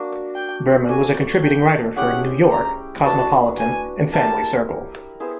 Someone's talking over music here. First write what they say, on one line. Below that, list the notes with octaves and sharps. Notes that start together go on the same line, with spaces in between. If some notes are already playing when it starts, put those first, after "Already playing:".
Berman was a contributing writer for "New York", "Cosmopolitan" and "Family Circle".
Already playing: A#3 D4 F#4
G5
A3 D4 F#4 A4 G#5
G5
G#3 C#4 E4 G4 F#5
A#5
D4 F#4 B4 A5
G#5
E4 G4 A#4 A5
B3 E4 G#4 C5